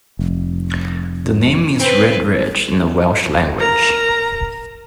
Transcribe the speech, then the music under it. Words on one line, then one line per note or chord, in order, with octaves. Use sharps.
The name means 'red ridge' in the Welsh language.
F1
C4 B4
A#4 A#5